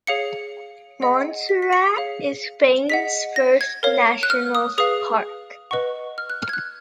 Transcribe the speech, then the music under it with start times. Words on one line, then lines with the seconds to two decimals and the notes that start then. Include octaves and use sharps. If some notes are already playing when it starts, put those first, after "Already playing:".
Montserrat is Spain's first National Park.
0.07 G#4 C#5 F5 C#7
1.01 G#4 D#5 F#5
1.49 B6
1.62 B6
1.73 C#7
1.96 G#4 C#5 F5
2.90 G#4 D#5 F#5 B6
3.36 A#6
3.61 G#6
3.83 A#4 C#5 F5
4.23 F#6
4.30 F6
4.55 D#6
4.78 G#4 B4 F5 D#6
5.71 B4 D#5 F#5 C#6
6.18 F6
6.30 F#6
6.42 F6
6.49 G#6
6.53 F#6